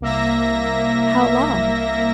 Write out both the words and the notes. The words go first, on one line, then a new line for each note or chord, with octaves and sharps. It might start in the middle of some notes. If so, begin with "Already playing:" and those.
"How long?"
C2 A#3 E5 A#6